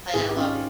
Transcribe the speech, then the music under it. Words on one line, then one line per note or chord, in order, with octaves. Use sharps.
Like, I love it.
G#2 D#3 F4 G#4
G4
C#4 F4